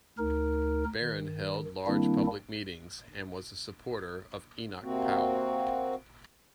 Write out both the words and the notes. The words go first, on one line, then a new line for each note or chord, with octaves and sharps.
Baron held large public meetings and was a supporter of Enoch Powell.
D2 D#4 A#4
D#3
D#3 G3 A#3 C4 D4 E4
C3 A#3 C4 F#4